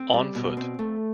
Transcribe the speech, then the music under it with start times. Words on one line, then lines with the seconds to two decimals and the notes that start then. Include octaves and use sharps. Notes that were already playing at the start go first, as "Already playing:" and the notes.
On foot.
Already playing: C4
0.13 G3
0.35 B2
0.57 C4
0.79 A3